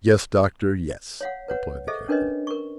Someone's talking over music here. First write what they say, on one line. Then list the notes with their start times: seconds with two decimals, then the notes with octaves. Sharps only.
"Yes, Doctor, yes," replied the captain.
1.21 C#5 F5 F#5
1.48 B4 C#5 F#5
1.87 G#4 A4 C5 D#5 E5
2.08 C#4 D4 A#4 B4 C#5 D#5
2.47 A#4 C#6